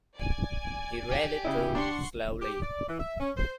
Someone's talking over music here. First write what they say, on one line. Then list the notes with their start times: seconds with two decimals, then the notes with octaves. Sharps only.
He read it through slowly.
0.16 D5 G#5
1.11 G4
1.45 C#3 E4
1.75 D4 F#5 C6 C#6
2.41 G4
2.62 D5
2.88 E3
2.99 E5
3.19 C#4
3.37 C5